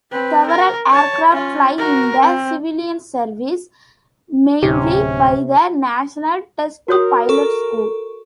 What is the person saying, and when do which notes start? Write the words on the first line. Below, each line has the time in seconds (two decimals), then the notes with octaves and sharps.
Several aircraft fly in the civilian service, mainly by the National Test Pilot School.
0.11 C4 B4
0.46 A#4
0.91 C#5 A5
1.31 C#4 F4
1.78 F#4 A#4
2.20 C4
4.63 D1 C3 C#4 G4
6.88 F#4 A#4 C#5 D#6
7.29 A4 C#6